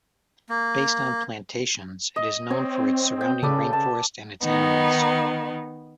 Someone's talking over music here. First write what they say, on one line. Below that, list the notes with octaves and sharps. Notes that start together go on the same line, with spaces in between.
Based on plantations, it is known for its surrounding rainforest and its animals.
A#3
D#5
C4 C#5
G5
C#3 A4 B4 D5
A5
D#3 B3 D#4